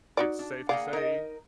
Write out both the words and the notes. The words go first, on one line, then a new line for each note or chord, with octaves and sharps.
it's safe to say,
D#4 F#4 D5
D4
A#3 G#4 D5 F5 F#5
D#4 A#4 D#5